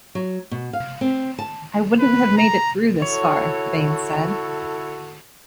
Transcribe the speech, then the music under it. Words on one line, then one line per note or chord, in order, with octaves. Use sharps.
I wouldn't have made it through this far, Bain said.
F#3
B2
F5
C4
A5
B4
A#5
E4 F#4 A4 C#5